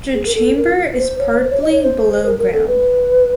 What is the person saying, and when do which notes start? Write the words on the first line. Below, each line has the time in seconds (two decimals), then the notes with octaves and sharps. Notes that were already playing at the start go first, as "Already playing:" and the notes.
The chamber is partly below ground.
0.14 G#4
0.26 A#4
0.35 A4
0.56 A#4
0.98 C5
1.19 C#5
1.41 C5
1.51 C#5
1.62 D#5
1.72 C#5
1.83 C5
2.26 A#4
2.39 A#4
2.53 A4
2.67 B4